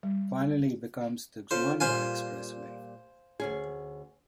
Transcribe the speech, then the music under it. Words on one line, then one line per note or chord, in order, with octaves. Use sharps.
Finally, it becomes the Xuanda Expressway.
G3
C#4 F4 A4 C5
A#2 G3 F4 C5 F5 G#5
D2 C#4 G#4